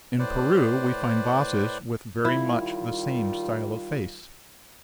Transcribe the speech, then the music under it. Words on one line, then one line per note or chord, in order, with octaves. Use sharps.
In Peru we find vases with very much the same style of face.
A2 B4 C5 D5
D#3 G3 E4 F4